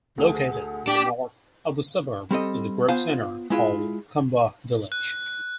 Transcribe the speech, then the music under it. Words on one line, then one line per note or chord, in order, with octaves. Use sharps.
Located in the north of the suburb is the group centre called Kambah Village.
D2 G#4 A4
D4 G4
G3 C4 A4 D#5
B3 F4 C5 F5 G#5 A5
G#3 E4 F4
F#6